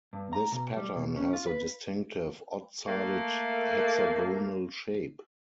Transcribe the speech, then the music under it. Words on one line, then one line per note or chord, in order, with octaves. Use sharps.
This pattern has a distinctive odd-sided hexagonal shape.
G2
A#5
B2
G3
B2
C#4
F4
B4
A3 A#3